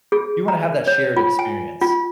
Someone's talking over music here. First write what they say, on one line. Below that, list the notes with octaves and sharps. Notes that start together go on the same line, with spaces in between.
You wanna have that shared experience.
G#4
A#5
C#5
F4
G#5
F4